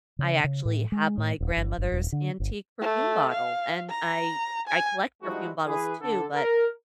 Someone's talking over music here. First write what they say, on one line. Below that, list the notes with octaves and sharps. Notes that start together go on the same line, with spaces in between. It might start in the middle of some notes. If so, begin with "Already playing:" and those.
I actually have my grandmother's antique perfume bottle, and I I collect perfume bottles too, but
C#3
C#3
A2
G#3
A2
D#1
G1
G1
D#1
D3
G1
A3
F5
A#5
G#5
F3 G3 G#3 D#4 E4 F#4
E3 G#4 B4
D3 A4
A#4